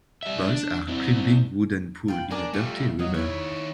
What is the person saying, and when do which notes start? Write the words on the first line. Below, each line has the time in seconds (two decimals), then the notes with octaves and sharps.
Boys are climbing wooden poles in a dirty river.
0.23 G3 E5
0.47 D4
0.88 C4 E4
2.08 F4 G5 B5
2.31 D4 A#4 G#5 D6
2.54 G3 A3 F4
2.99 F#3 D#5 F5
3.14 D#3 E4 C#5 C#6